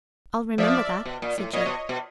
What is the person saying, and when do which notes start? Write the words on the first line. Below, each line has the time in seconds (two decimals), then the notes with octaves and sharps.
"I'll remember that," said Jean.
0.58 F3 D5 E5
1.05 B2
1.22 A#2
1.38 A2
1.53 A#2 C#5 D#5
1.66 B2
1.89 B2